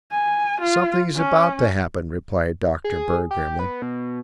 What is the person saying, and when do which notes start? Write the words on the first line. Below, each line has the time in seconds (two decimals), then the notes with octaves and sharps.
"Something is about to happen," replied Dr. Bird grimly.
0.12 G#5
0.61 F4
1.15 C#4
2.84 G#4
3.31 G4
3.59 B3
3.82 B2